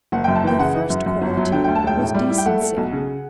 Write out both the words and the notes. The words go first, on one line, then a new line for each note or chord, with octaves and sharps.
Their first quality was decency.
F#1 F#5
F#2 G5
A5
E3 G5
C#3 F#5
E3
F#2
F#2
G1
F#3
D3 G5
D2 G5
A5
E1 G5
A2
G3
E4
G5
A3 F#5
A3
B1
C#3